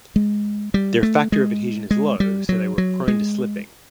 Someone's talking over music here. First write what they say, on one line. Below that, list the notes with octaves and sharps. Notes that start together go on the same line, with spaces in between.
Their factor of adhesion is low, so they were prone to slipping.
G#3
G3
A3
G#3
G#3
G3
F#3
F#3
G#3